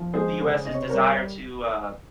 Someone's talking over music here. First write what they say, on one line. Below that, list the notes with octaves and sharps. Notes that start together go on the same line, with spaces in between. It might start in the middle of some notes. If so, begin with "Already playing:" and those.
the US's desire to, uh
Already playing: F3
G#3 G#4 C5
C#3
C3 D#5
C#5
C5
G3 A#4 C#5